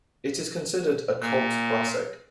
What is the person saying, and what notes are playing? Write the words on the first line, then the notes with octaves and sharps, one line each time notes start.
It is considered a cult classic.
A#2